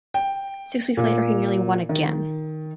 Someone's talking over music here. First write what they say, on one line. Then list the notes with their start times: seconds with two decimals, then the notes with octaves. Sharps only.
Six weeks later he nearly won again.
0.14 G5
0.97 A#2
1.89 D#3